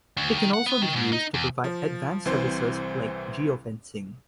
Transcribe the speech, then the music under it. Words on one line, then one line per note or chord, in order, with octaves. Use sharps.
It can also be used to provide advanced services like Geo-fencing.
D2
D#3
F#5
B3
D#3
G#2
D#4
E2
F3
C2 E3 C4 C5